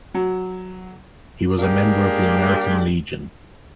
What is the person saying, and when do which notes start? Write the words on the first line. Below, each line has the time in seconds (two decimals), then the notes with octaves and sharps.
He was a member of the American Legion.
0.14 F#3
1.59 G#3 A#3 D4 G4